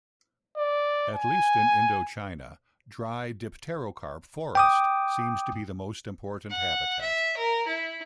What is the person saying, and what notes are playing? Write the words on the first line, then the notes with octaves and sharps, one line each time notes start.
At least in Indochina, dry dipterocarp forest seems to be the most important habitat.
D5
G#5
G5 D6 D#6
F#5
E5
A#4
E4